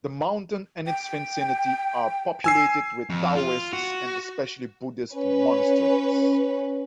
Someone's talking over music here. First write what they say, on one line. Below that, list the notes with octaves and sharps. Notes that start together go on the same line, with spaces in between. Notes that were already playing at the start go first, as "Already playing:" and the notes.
The mountain and its vicinity are populated with Taoist and especially Buddhist monasteries.
G5
G#5 E6 C7
F2
F4
F#4
C#4 B4